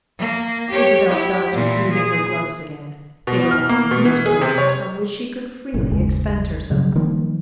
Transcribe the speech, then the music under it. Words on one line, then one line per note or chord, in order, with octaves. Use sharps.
Isabel fell to smoothing her gloves again; they were long, loose gloves on which she could freely expend herself.
A#3
G4 C#5
E4 G4
A#2 E3
G#4
B2
F6
A#3
B2
E3
G#4
C3
C#5
F#1 G2 A#2
G1 D#2 C#3 G#3
G2 C#3 F#3
D#3 F3 G3 A#3